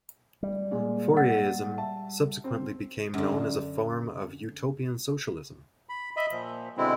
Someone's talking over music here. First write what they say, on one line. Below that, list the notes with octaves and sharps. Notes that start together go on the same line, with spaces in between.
Fourierism subsequently became known as a form of utopian socialism.
G3
A#2 G#3
F#5 E6 A6
E5 A5
C4
F#2 D3
B5
D#5 E5 B5
A#2 F3
B2 D3 G#3 C4 E4